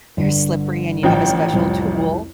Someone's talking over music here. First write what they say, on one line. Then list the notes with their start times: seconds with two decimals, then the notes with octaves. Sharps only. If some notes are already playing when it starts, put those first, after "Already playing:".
they're slippery and you have a special tool.
0.17 G1 D3
1.03 A1 F3 G5
1.53 C2 F2